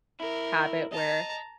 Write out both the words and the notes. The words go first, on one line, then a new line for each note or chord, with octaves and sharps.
habit where
E4 A#4
D#5 A5 A#5